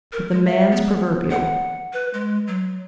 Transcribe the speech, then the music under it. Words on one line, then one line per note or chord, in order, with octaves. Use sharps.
But the man's proverbial.
A#4
G#3
E5
B3
F#5
B4
G#3
F#3